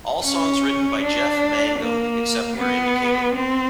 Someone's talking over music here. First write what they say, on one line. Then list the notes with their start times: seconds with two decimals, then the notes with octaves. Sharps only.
All songs written by Jeff Mangum, except where indicated.
0.24 C#4
1.02 D4
1.79 A#3
2.57 B3
3.35 C4